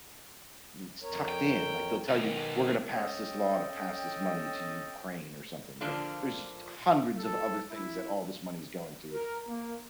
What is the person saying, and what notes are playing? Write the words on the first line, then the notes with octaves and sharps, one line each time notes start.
It's tucked in like they'll tell you we're going to pass this law to pass this money to Ukraine or something, but there's us hundreds of other things that all this money is going to,
F2 A#4 C#5
G5
B1 D#3
C#4 A4 D#5 G5
A#2 D3 F3 D4 F4
A4
E4
A#4
A#3